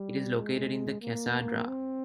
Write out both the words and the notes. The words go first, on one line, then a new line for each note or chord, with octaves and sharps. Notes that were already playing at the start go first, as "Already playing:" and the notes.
It is located in the Casa Dra.
Already playing: G3
G#3
A#3
C4